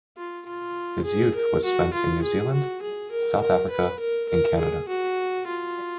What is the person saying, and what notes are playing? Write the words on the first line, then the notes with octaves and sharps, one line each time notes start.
His youth was spent in New Zealand, South Africa and Canada.
F4
F4
G#4
A#4
F#4
F4
G#4
F#4
G#4
A#4
A#4
B4
A#4
A#4
G#4
F#4
F4